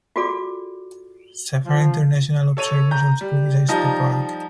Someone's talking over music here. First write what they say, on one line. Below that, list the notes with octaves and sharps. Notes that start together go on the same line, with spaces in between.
Several international observers also criticized the park.
F4 F#4 G#4 A4 D5 D6
F3
A4 C#5 D#7 F7
A#5 G6
G3
F3 G3 D#4 D#5 A5 A#5